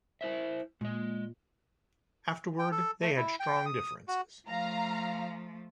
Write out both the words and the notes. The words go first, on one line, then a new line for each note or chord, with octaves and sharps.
Afterward they had strong differences.
E4 C5 E5
A#2 G#3 D#5
G5
A4
A3
E4
G5
D#6
F#4
F3 A3 F5 A#5